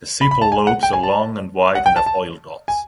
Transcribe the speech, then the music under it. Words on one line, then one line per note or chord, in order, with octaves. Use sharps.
The sepal lobes are long and wide and have oil dots.
B5
B5
A5
G#5
F#5
G5
G#5
A5
F#5
G5
A5
A5
G#5